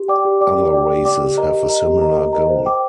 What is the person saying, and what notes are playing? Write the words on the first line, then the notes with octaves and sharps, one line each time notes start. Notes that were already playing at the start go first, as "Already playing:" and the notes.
Other races have a similar goal.
Already playing: G4
D5 G5 D6
G4
D5 G5 D6
G4
D5 G5 D6
G4
D5 G5 D6
G4
A#4 D#5 A#5
G4
A#4 D#5 A#5
G4
A#4 D#5 A#5
G4
A#4 D#5 A#5
C5
G5 D6